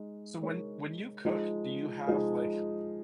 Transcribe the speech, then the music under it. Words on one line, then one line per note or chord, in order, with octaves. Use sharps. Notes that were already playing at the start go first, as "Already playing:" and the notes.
So when when you cook, do you have, like,
Already playing: G#3 D#4
G#3 D#4 A#4 C#5
F3 G#3 D#4 G#4
F3 G#3 D#4 G#4